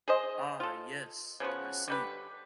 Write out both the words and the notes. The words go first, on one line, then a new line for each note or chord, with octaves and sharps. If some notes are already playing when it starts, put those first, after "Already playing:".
'Ah, yes, I see!
G#4 C5 D#5
F4 A4
C#3 F3 B3 F#4
D3 G3 B4